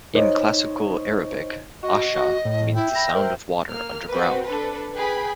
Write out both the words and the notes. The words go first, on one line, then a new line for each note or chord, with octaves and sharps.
In Classical Arabic, Ahsa means the sound of water underground.
D#4 C5 C#5 D#5
F#4 D#5
F#4
A2
E4 E5 G5
B5 A#6
A#4 C5
A#3 F6
C4 F#4 B4
D4 A4 B4
G#4 B4 G5 B5